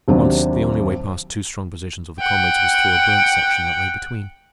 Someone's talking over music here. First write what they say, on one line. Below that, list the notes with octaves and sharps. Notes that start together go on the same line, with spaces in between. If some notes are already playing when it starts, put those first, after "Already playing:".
Once, the only way past two strong positions of the comrades was through a burnt section that lay between.
D#2 C3 F#3 D4
F#5 G5